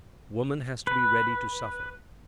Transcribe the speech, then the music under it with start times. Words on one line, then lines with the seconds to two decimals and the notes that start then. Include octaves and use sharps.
Woman has to be ready to suffer.
0.87 B4